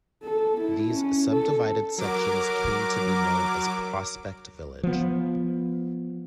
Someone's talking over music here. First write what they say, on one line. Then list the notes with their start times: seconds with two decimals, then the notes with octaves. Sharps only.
These subdivided sections came to be known as Prospect Village.
0.23 A4
0.61 E4
0.95 C#4
1.31 A4
1.98 F#3 A#4 D6
4.83 F3 B3